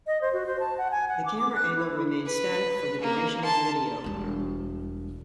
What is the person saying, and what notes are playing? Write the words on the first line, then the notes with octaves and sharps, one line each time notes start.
The camera angle remains static for the duration of the video.
D#5
C5
F#4
C5
A5
F#5
G#5
F#5
D6
D6
F#6
E4
B4
A#3
A5 C6
E1 G3